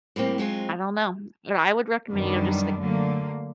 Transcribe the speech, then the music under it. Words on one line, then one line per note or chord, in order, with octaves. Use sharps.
I don't know. What I would recommend, you know, just the, like,
A2 G3 A#3 C4
F#3 G#3 C4 F4
F#2 D#3 G3 B3 D4
D3 F#3 A3 A#3